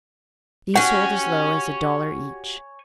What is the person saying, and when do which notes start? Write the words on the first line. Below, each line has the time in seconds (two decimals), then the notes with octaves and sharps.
These sold as low as a dollar each.
0.75 F#4 G4 C#5 F#5 G#5